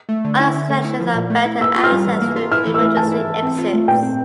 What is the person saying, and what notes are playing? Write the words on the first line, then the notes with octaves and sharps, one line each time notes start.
Other suggestions are better access to emergency exits.
A3
D3
E4
D3
A3
E4
F3
A#2
A3
E4
A#3 E6
F4
F6
G3
E3
A#3
F4
E4 F6
E3
E6
A3
E3 A5
E4
E3
C4
F4
A3
A#2 G5
C4